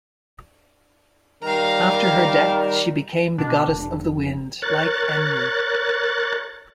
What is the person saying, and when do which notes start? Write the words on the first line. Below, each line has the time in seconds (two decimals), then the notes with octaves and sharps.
After her death, she became the goddess of the wind, like Enlil.
1.43 D#3 G3 A#4 F5 A#5
3.38 B2 D4
3.68 F1
4.62 A#4 C#5 F#6 A6